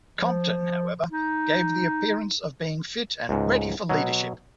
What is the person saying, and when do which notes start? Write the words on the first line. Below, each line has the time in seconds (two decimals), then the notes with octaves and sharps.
Compton, however, gave the appearance of being fit and ready for leadership.
0.19 F3
1.10 D#4
3.29 C#2 G#2
3.89 B2 F#3